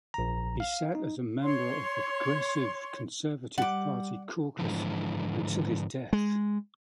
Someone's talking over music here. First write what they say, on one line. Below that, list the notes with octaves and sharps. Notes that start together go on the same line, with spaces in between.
He sat as a member of the Progressive Conservative Party caucus until his death.
A#1 A#5
F5
D#4
C#5 C6
G3 F#5 D6
G#2 B2 D3 E3 F3
G#3